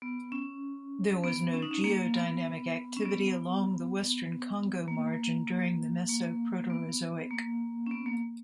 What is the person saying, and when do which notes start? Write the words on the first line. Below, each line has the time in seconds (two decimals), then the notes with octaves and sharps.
There was no geodynamic activity along the western Congo margin during the Mesoproterozoic.
0.02 B3
0.32 C#4
1.24 B3
1.53 C#4
1.62 D#4
1.71 C#4
1.84 A#3
2.14 B3
2.96 C#4
3.05 B3
4.88 A#3
6.09 A#3
6.70 B3
7.31 A#3
7.86 C#4
7.91 B3
8.06 A#3